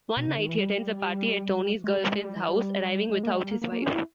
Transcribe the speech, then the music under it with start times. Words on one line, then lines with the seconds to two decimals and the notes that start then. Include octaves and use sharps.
One night he attends a party at Toni's girlfriend's house, arriving without his wife.
0.17 B2
0.28 C#3
0.38 D#3
0.49 E3
0.59 G3
1.84 G#3
1.98 G3
2.12 G#3
2.24 G3
2.36 E3
2.48 G3
3.10 G#3
3.23 A#3
3.32 G#3
3.37 G3
3.51 A#3
3.62 A#3
3.72 A#3
3.82 C#4
3.93 E4